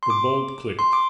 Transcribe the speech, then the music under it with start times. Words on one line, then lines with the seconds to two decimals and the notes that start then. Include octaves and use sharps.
The bolt clicked.
0.03 C6
0.10 D6
0.79 C6
0.93 D6